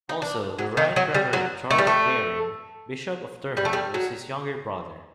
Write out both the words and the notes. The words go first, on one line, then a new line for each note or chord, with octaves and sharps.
Also, the Right Reverend Charles Baring, Bishop of Durham, was his younger brother.
D#4
D4
F#3
D#3
F#3
G3
F#3
A3
G3
A3
G3
A3
G3
F#3